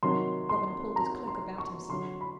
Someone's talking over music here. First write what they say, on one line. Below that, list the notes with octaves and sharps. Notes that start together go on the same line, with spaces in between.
Robin pulled his cloak about himself.
C3 D#3 F#3 C6
C6
A#5
C6
C#6
D3 F#3 C6
B5